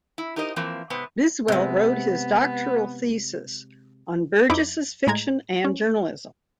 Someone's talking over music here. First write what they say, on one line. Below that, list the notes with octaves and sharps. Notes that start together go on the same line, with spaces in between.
Biswell wrote his doctoral thesis on Burgess's fiction and journalism.
E4
D#4 G4 A#4 C5 D#5
E3 F3 A#3 C4
G#2 C3 B3 C4
C3 G#3 B3
F2 D#4 E4 B5 D6
A2 G#3 A#5 G#6
C#4